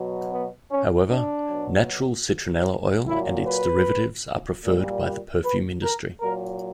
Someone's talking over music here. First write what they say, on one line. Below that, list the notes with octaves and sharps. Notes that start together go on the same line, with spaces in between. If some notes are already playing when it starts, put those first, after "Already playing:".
However, natural citronella oil and its derivatives are preferred by the perfume industry.
Already playing: B2 F#3
B3
C#4
D4
B2 F#3
A#2 F#3 E4
B4
A#2 G3
B4
A#4
A#2 F#3 A#4